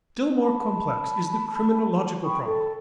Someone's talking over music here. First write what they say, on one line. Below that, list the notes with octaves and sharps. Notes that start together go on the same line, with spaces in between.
Still more complex is the criminological problem.
A5 B5
G5 B5 C#6 D#6
A4